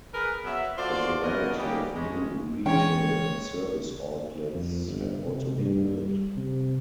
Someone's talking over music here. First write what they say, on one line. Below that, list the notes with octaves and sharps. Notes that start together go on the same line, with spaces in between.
A variety of new retail and service outlets have also been built.
G#4 A#4 B4
F#3 B3 E5
F4 F#4 A4 C5 D5
B2 F3 F#3 A#4 D#5 F#5
F#3 G3 A#3 D#4 G4 G#4
G2 G#3 C#4
E3 G#3 C#4 C#5 G5
F2
G1
C3
G2
G3
C3